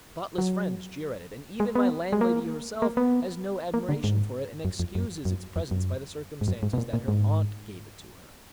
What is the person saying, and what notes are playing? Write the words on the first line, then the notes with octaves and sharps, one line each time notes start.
Thoughtless friends jeer at it, and even my landlady herself has no admiration for it, and excuses its presence by the circumstance that her aunt gave it to her.
F#3
G#3
B3
G#3
A#3
A#3
B3
A#3
D3
G#2
F#2
F2
F#2
F#2
F2
F#2
G#2
F#2
G#2
B2
A#2
A#2
G#2